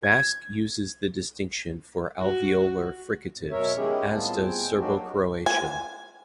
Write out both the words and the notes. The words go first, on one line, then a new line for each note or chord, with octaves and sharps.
Basque uses the distinction for alveolar fricatives, as does Serbo-Croatian.
G#6
F#4
F2 A2
B2 F#3 A#4 C#5 E5
D#3 G#3 C#4 E4 G4 G#4
A2 G3 B3 C4 F4 A5
G#3 C4 G5 G#5
F#3 A#3 D4 D#4 F#4 G4
G#5